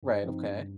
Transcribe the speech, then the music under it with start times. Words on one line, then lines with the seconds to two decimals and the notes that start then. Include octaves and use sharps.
Right, okay.
0.03 G2
0.24 F3 C4 D#4
0.46 G2